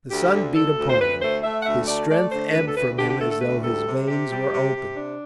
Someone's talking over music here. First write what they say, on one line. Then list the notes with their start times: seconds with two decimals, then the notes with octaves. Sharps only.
The sun beat upon him; his strength ebbed from him as though his veins were opened.
0.11 D2 G4
0.34 D3
0.55 D2 A4
0.77 D2
0.89 C5
1.00 D2 B4
1.22 A3 C5
1.43 A3 E5
1.61 F#5
1.66 D2 E5
1.87 A3 D5
2.10 A3 D5
2.31 D3 C5
2.53 D2 B4
2.67 A4
2.75 D2 B4
2.98 D3 G4
3.09 G4
3.20 A3 A4
3.31 A4
3.41 D2 B4
3.63 G3 A4
3.86 C3
4.08 C3 G4
4.30 G3
4.53 C3
4.75 C3
4.96 D4